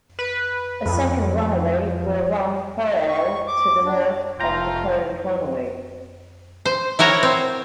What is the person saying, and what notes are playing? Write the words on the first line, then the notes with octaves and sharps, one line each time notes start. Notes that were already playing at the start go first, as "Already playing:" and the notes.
A second runway will run parallel to the north of the current runway.
B4
F2
C#6
D6
D4
F1 A3 F4 G5 A#5
C5
E4 F#4 A#4 C#5
C4